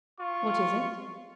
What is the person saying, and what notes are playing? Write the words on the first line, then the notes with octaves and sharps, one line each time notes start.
What is it?
F4 C#6